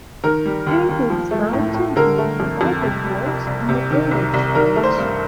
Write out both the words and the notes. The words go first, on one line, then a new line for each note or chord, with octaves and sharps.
It includes Mount Tymfi, the Vikos Gorge and the Aoos Gorge.
D#3 A#4
G3
D#2
D#2
F3
A3
A2
A2
D3 A#4
A3
F2
F2
C3
G3
C2
C2
C3
D#3
C2
C2
D#3 A#4
A3
C5
G2